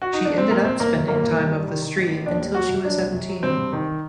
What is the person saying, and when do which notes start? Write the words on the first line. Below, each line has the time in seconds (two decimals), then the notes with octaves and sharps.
She ended up spending time of the street until she was seventeen.
0.02 F#4
0.13 D#4
0.25 D4
0.38 C4
0.51 A1 A#3
0.65 A1 C4
0.80 G1 A#3
0.95 F#2
1.08 G1 A#3
1.23 G1
1.38 G2
1.53 G3
1.67 D#3
1.82 D#3
1.96 A1
2.11 A1
2.26 D#2 D4
2.40 G3
2.54 F#3 F#4
2.70 F#2
2.85 F#3 D4
2.99 C2
3.14 F#2
3.29 F#3
3.43 G2 C4
3.57 G2
3.73 D#3